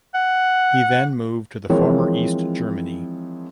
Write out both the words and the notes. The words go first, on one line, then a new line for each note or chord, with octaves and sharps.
He then moved to the former East Germany.
F#5
E3 F3 G#3 C4 A#4 C#5